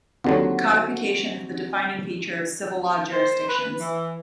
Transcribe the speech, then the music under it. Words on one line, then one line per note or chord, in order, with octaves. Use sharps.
Codification is the defining feature of civil law jurisdictions.
D#2 D3 F#3 C4 F#4
C5
B4
E3